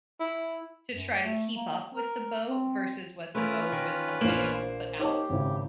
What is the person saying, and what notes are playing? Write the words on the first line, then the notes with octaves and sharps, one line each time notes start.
to try to keep up with the boat versus what the boat was helping put out,
E4
F#2
A3
A#3
A#4
C4
A3 C#4 F4 A#4 B4
D#3
A#1 A#3 C5 F5 F#7
D#4 G4 C#5 A5
G#1 C#3 E4